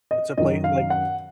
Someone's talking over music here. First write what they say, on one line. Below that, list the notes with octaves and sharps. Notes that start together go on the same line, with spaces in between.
to play, like,
D#5
F#2 D#3 F#3 D#5
F5
F#5